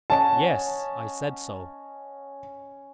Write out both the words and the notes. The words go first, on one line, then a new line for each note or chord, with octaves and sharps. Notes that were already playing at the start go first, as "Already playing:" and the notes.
"Yes, I said so."
C#4 D#5 F#5 A5